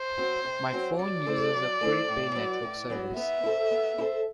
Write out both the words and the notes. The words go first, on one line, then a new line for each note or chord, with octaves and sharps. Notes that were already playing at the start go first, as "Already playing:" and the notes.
My phone uses a prepay network service.
Already playing: C5
F#3 C4 F#4
C3
F#3 C4 F#4
F#3 D5
A3 E4 A4 C5
F#3
A3 E4 A4 C5
A2
F#3 B3 F#4
A2
F#3 B3 F#4
B3 E5
E4
A4 C5
B3
E4
A4 C5